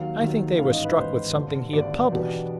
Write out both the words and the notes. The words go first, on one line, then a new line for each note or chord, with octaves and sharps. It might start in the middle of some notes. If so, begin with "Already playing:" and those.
"I think they were struck with something he had published."
Already playing: D#2 D#3 F#3 F5
D#2 D#3 F#3
A1 G#2 D#3 F5
D#5
B4
A1 G#2 D#3 C5
G#1 G2 D3
G#1 G2 D3 D5
E2 B2 G3 B3 D4